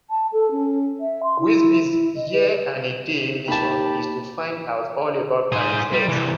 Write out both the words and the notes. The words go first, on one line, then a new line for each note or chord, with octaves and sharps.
Wizbit's year-and-a-day mission is to find out all about planet Earth.
A5
A4
C#4
E5
C6
E4
E4
D#5
B4
D#2 G4 A5 B5
G#4 C5
G3
C3 E3